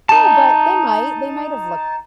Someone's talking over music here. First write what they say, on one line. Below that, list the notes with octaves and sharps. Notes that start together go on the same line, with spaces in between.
No, but they might they might’ve look
D#4 A5